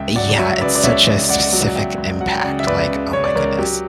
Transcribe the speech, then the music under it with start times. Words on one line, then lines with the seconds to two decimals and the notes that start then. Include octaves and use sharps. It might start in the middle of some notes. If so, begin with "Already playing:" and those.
yeah, it's such a specific impact, like, oh my goodness.
Already playing: C#2 E5 G5
0.15 F#3 D5 F#5
0.29 D5
0.38 F#3 C#5 E5
0.57 E5
0.61 C#3 B4 D5
0.75 D5
0.83 C#2 C#5 E5
1.07 C#2
1.29 C#2 D5 F#5
1.53 F#3
1.65 F#5
1.75 C#2 E5 G5
1.98 C#2
2.21 F#3 F#5
2.31 G5
2.40 C#3 D5 F#5
2.60 E5
2.67 C#2 B4 D5
2.90 C#3
3.13 C#3 C#5
3.24 D5
3.35 C#2 A#4 C#5
3.58 F#3 G4